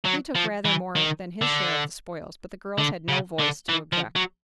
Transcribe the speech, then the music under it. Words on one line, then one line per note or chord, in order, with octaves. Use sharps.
He took rather more than his share of the spoils, but the girls had no voice to object.
F#3
F3
E3
D#3
D3
D3
C#3
D3
E3
F3
F#3